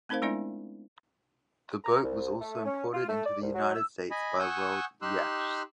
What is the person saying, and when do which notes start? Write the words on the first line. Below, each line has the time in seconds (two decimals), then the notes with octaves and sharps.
The boat was also imported into the United States by Wells Yachts.
0.09 A3 C4 D#4 A#4 C5 F5
0.22 G#3 B3 D4 E4 D5 E5
1.85 A#5
2.03 C2
2.41 A3
2.65 C#4
2.94 F4
3.09 A3
3.26 D5
3.42 C2
3.54 F#3
3.75 E6
4.11 D#5 G#5 B5
4.39 F#5 G#5 C#6 D#6 E6 G6
5.02 D#4 G4 C6 E6 F#6